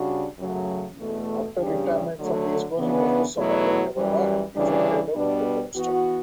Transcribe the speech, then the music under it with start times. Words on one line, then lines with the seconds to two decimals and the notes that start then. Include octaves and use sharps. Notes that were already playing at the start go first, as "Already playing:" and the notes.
After retirement from baseball he moved to Summerlin, Nevada and befriended a poker instructor.
Already playing: C#3 G3 D4 F#4
0.39 F#2 C#3 F#3 A3
0.99 E2 B2 A3
1.58 E2 C#3 G3 D4 G4
2.18 D3 F#3 A3
2.77 C#3 E3 B3 D4
3.36 E2 B2 F#3 A3 E4
3.96 F#2 E3 G3
4.55 D2 C#3 E3 G3 D4
5.15 B2 G3 B3 D4
5.74 E3 B3 F#4